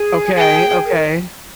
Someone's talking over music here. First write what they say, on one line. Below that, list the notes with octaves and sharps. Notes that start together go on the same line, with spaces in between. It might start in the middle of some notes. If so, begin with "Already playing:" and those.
Okay, okay.
Already playing: G#4
G5
A#4